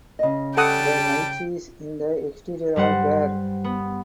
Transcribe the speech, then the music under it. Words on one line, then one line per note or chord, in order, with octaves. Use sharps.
The niches in the exterior are bare.
C#3 D#5
G3 A4 F#5 G5 A5 D#6
G2 G3 C5 F#5
B3